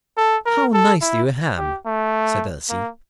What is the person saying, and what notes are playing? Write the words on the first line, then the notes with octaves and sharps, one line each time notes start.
"How nicely you hem!" said Elsie.
A4
A#4
A4
E4
G4
A3
A#3